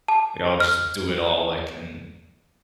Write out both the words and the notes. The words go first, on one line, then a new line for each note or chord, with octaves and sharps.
like, I would just do it all like, and
A5
F6